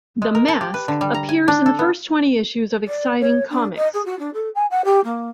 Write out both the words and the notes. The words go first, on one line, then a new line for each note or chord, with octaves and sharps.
The Mask appears in the first twenty issues of "Exciting Comics".
G#3
A#4
A5
G4
B4
D3
G3
A#5
G#5
D4
A4
B3
D5
C#5
D4
D#5
G#4
F#4
D4
A4
G#5
F#5
G4
A#3